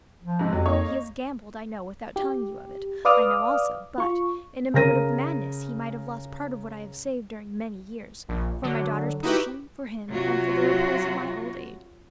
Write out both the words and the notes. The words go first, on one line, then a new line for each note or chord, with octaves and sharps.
He has gambled, I know; without telling you of it, I know also, but, in a moment of madness, he might have lost part of what I have saved, during many years, for my daughter's portion, for him, and for the repose of my old age.
F3
G#2 C3
F2 F#3
A#3 D#4 C#5
G4
B4 D5 F5 D6 D#6 F6
F4 C#6
C#3 A#4 A#6 D#7
A#1
D3 F#3
D#4 E4 F#4 G4 B4
C3 F#3 F4 F#4